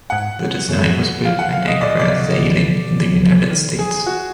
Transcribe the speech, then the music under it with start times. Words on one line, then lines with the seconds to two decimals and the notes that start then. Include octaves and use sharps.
The design was built by Nacra Sailing in the United States.
0.10 G#2 F#5
0.69 F#2
1.25 F5
1.39 F#5
1.53 F5
1.67 D#5
1.81 A#2 D5
1.91 D#5
1.99 B2 D5
2.20 B2
3.51 D#3
3.79 G#4
4.06 F#4